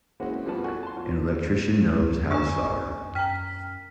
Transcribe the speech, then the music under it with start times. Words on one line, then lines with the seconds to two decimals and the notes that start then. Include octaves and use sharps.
An electrician knows how to solder.
0.20 E3 G#3 A#3 C4 C#4 F#4
0.46 F2 G3 B3 B4 A5
0.64 F#4 A4 G#5 C#6 F#6
0.83 A5 C6
0.97 F2
1.95 D2
2.31 F#2 D4 G#5 C#6
3.15 F#2 G5 A#5 F6 B6